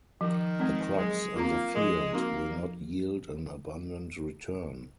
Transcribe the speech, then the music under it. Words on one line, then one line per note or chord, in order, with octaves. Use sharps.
The crops in the field will not yield an abundant return.
D#3 F3
G#3 C4
F#3 G#3
A#3 C4 F4
F3 G#3
A#3 C4 D#4 F#4
F3